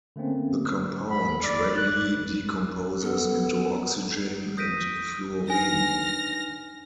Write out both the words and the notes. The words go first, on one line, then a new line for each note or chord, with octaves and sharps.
The compound readily decomposes into oxygen and fluorine.
D3 A3 A#3 C4 C#4
B5
D5
F#6
B3 A4
D#6 G6 A#6 B6 D7 D#7
D4 D#4 B4 G#5 F6 A#6